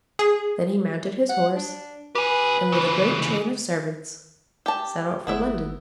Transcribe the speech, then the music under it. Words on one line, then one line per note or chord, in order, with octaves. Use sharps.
Then he mounted his horse, and with a great train of servants set out for London.
G#4
F#5
D4
G4 B4 G#5
C#3 E3
G4 A5
G1 B3 E4 E5